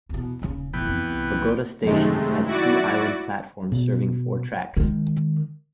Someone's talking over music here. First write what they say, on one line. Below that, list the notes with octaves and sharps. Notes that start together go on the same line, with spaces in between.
Kogota Station has two island platforms serving four tracks.
E2 B2
D#1 C#3
E1 A2 E3 B3 G5
F2 F4
C2
F#2 C3 D#3 G#3 A3
E4 F#4 D5
B2
D#3 G#3